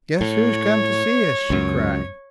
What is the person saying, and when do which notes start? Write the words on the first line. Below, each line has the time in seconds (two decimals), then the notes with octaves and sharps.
"Guess who has come to see us!" she cried.
0.21 A2 C#5
1.50 C#2 F#2